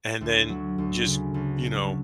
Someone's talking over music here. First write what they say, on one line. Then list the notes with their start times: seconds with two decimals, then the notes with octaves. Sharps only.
and then just, you know,
0.21 D2
0.49 F#3
0.78 D2
1.06 C#3
1.34 D2
1.64 F#3